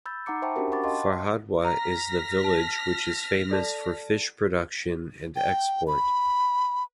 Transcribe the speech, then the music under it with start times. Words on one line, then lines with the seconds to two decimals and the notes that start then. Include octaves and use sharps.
Farhadwa is the village which is famous for fish production and export.
0.06 B5 E6 G6 A6
0.26 D#4 F#5 A#5 D6 C#7
0.42 C5 E5 G5 A5 B5 C#6
0.56 C#4 D4 F#4 G4 A#4
0.72 F#5 B5 C#6 D6 A6
0.84 D#5 F5 G5 A5 C6
1.65 A#5 F6 A#6 B6
2.44 A5
3.50 A4 D5 A5
5.36 G5
5.87 B5